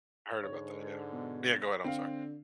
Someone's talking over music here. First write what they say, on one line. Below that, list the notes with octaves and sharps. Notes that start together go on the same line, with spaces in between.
I heard about that, yeah. Yeah, go ahead, I'm sorry.
G#2 D3 C#5
B2
D3 C4 F5